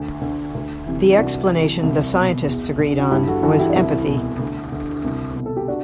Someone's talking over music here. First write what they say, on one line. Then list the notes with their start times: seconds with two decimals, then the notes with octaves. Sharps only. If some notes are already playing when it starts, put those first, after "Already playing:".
The explanation the scientists agreed on was empathy.
Already playing: D2
0.22 D3
0.55 D2
0.86 C3 E3
1.12 E4
1.18 C2 D4 F#4
1.51 C3 E3
1.83 C2
2.15 B2
2.47 E2
2.79 D3
2.99 F#4
3.11 G2 E4 G4
3.27 F#4 A4
3.43 E3 F#4 A4
3.54 A4
3.59 E4 G4
3.70 D4
3.75 C2 E4
4.07 B2
4.39 D2
4.72 D3
5.04 C2
5.35 B2
5.46 A4
5.57 G4
5.68 D4 F#4